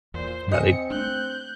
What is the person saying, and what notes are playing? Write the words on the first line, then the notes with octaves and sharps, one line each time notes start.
e now they
E2 A#2 C5
C4 D#5 G#5 C#7
A3 B3 D4 F#6 G6